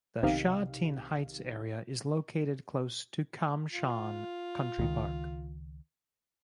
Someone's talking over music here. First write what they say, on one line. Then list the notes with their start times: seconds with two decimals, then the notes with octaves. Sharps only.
The Sha Tin Heights area is located close to Kam Shan Country Park.
0.23 B1 C3 D#3 D#4 G4 F5
3.71 F4
4.79 C#2 D#3